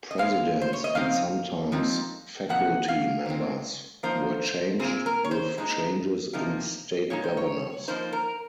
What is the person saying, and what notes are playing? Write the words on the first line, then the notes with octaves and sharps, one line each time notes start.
Presidents and sometimes faculty members, were changed with changes in state governors.
D#5
A#2 F3 G#3 F5
C5
C#5
D#5
C#3 F3 C4 D#4 F5
F3 G#3 C4 D#4
C3 F3 A#3 F#5
F5
A#2 G#3 C4
F3 A#3 D#4 C5
A#2 F3 C4 G#4
A#4
C#5
C5
A#2 G#3 D#4
C3 F3 A#3 D#4
A#2 G#3 D#4 C#5
C5
C#5
F3 A#3 D#4 C5
A#4